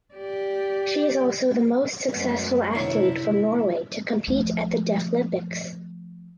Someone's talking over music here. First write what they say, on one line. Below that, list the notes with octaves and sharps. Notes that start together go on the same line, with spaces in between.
She is also the most successful athlete from Norway to compete at the Deaflympics.
G4 D5
F#2 G#3 A3 B3
C3 D#3 D4 E4 C#5
E5
F3 A3